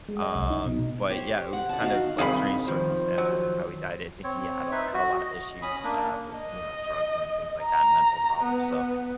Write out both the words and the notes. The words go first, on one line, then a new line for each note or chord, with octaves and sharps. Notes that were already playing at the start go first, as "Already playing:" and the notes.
um, but yeah, it was kind of, like, strange circumstances how he died, I think he had a had a lotta issues, uh, with, you know, drugs and things like that, mental problems, so,
G#3
D#5
C2
D#4
B2
G4 C5 C#5
F#5
F#5 A5
D#4 F#4 F5
G2 C3 D#3 G#4 F5 B5
D#3 F3 C5
F#3
C4 C#5
D#4 B4 E5
F#4
D#5
C#4 B5 D#6
A#3 D4
D#5
A#5
B3